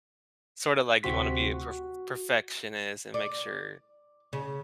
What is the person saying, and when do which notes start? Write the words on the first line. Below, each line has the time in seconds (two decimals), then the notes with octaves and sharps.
sorta, like you wanna be a perf perfectionist and make sure,
1.03 D2 C3 C4 F#4 C6 B6
1.54 F#4
3.14 D5
4.33 C#3